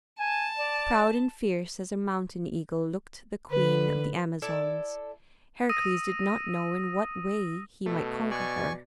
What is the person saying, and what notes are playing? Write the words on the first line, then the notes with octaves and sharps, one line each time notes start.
Proud and fierce as a mountain eagle looked the queen of the Amazons: Heracles did not know in what way he might conquer her.
G#5 A5
D5
D3 B4
E4 A4 D5
D#6 E6 A#6 D#7
B2 A3
D5 G#5 C#6